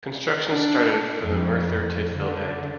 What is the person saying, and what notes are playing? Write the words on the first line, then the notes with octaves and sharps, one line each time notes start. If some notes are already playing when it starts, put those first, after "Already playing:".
Construction started from the Merthyr Tydfil end.
D4
F2
D3